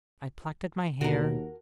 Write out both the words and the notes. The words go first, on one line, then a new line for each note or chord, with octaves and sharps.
I plucked at my hair.
D#2 B2 F#4 A#4